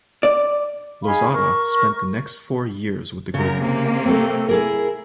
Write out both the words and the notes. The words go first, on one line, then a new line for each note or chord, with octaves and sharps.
Lozada spent the next four years with the group.
D5
D#4 G#4 F5 B5
A#4 C#6
F#2 C#3 A#4
C3 A#3
A3 C4
E4 G#4 A#4